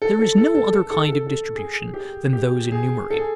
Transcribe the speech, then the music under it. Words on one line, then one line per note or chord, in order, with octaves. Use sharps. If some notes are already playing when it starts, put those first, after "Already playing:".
There is no other kind of distribution than those enumerated.
A4
A4
A4
A4
A4
A4
A4
A4
G#4
G4
G4
G#4
A4
G#4